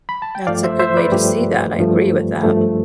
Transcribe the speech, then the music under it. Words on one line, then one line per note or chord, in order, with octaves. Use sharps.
That's a good way to see that, I agree with that.
B5
A5
G5
G2 F3 A3 D5 F5
C5 E5
C5 E5
B4 D5
G2 F3 A3 G4
G2 F3 A3
G2 F3 A3